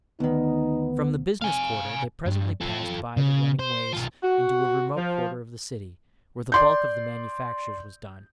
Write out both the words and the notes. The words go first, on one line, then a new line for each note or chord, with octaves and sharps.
From the Business Quarter they presently passed by the running ways into a remote quarter of the city, where the bulk of the manufactures was done.
D2 D#3 B3 D#4
F5 G#5
G2
F4 A4
C#3
C5
B1 F4
F#4
F3
D5 C6 G6